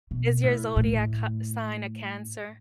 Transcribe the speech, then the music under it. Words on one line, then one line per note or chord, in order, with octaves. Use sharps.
Is your zodiac h sign a Cancer?
B2
A2
A2